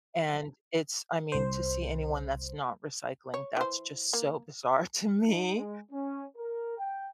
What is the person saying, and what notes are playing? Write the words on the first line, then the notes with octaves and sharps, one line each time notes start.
and it's I mean, to see anyone that's not recycling, that's just so bizarre to me,
C2 C5
C#5
E3 C5
A#3
D#4
G#3
C#4
A#4
G5